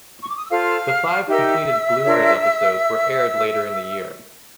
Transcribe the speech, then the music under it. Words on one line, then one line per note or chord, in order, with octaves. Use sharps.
The five completed "Bloomers" episodes were aired later in the year.
C#6
D6
D#6
E6
F4 A4 C5 F5 F6
D#4 G4 A#4 E5 E6
D4 F4 A#4 C#5